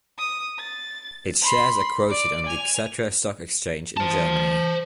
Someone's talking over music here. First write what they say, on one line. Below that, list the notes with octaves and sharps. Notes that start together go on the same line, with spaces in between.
Its shares are quoted on the Xetra stock exchange in Germany.
D#6
A6
B5 C6
D5
G#5 F7
C5 A5